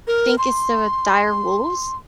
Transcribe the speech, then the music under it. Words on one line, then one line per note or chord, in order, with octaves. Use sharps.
think it's the dire wolves?
A#4
C6